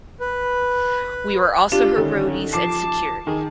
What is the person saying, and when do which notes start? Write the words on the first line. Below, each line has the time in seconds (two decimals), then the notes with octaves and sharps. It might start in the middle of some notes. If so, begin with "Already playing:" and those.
We were also her roadies and security.
0.20 B4
1.72 D4 F4 G4
1.96 D3 D#3 C#4
2.53 F3 A5 D6 C7
3.27 D#3 G#4